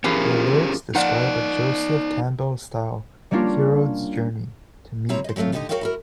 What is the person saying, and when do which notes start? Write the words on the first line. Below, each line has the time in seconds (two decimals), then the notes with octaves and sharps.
The lyrics describe a Joseph Campbell-style "hero's journey" to meet a king.
0.04 E3 F3 A#3 C#4 G4 G#4
0.95 F3 A#3 D#4 D5 F#5
3.31 G3 A#3 C#4 D4 F4
5.09 C3 G3 C4 E4 C#5 A#5
5.24 C5 D#5
5.36 F#3 G3 A3 C4 F4
5.52 D#2 D3 B3 D#4 G4 D#5
5.69 F#4 A4 A#4 C#5 F5 G5
5.81 E4 F#4 A#4